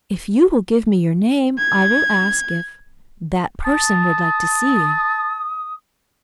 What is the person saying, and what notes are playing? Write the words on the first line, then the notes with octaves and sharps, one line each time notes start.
"If you will give me your name, I will ask if--that person would like to see you."
G#6
A5 D#6